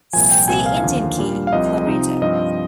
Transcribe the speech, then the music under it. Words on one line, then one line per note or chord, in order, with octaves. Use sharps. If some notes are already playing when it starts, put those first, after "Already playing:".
See Indian Key, Florida.
C2 A#2 F3 G#5
G5
C2 A#2 F3 C4 G#5
F5
D#2 D3 F3
A#2 G3 D4
F5
C2 C3 F3 C4 D#5
C3 F3 C4 D#4
G2 F3 C4 D#5